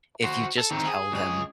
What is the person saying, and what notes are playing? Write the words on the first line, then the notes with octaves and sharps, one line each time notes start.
if you just tell them,
F#4 C5
A4
D#3 C4
G#4
C#2 G#4